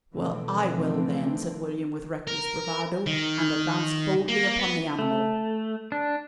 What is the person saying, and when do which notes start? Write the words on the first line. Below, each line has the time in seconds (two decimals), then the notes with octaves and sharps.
"Well, I will, then!" said William with reckless bravado, and advanced boldly upon the animal.
0.12 B2 D3 E3 F3 A3 C4
2.28 A#4
3.06 D#3
4.29 A#3
4.58 B3
4.99 A3
5.92 D4